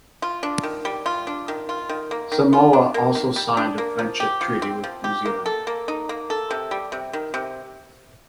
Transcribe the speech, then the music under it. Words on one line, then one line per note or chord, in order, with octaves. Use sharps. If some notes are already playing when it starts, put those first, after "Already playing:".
Samoa also signed a friendship treaty with New Zealand.
F4
D4
D#3
G3
F4
D4
D#3
F4
D#3
A#3
D#3
F4
D4
A#3
D#3
G3
D4
A#3
F3
G4
F3
C4
F3
G4
A#3
A4
A#3
D#4
A#3
A4
C3
G3
C3
D#3
C3